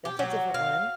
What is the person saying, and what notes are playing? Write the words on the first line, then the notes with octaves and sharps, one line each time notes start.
that's a different one.
G4
F#3
F5